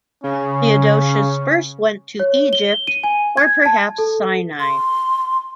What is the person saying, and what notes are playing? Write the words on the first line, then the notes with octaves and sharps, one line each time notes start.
Theodosius first went to Egypt or perhaps Sinai.
C#3 C#4
C#5
G7
D#7
G#5
G#6
A5
A4
C6